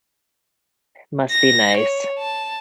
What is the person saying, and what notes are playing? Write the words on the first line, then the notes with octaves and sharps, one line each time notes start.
must be nice.
A#6
C#5
A5